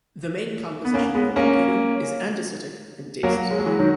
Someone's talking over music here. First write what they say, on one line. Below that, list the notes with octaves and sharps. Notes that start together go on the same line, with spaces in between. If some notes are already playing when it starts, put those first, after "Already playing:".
The main composition of the volcano is andesitic and dacitic.
B3
A#3 C#4
G#3 B3
A#3 C#4
F#3 A#3
G#3
F#3
E3 G#3
D#3 F#3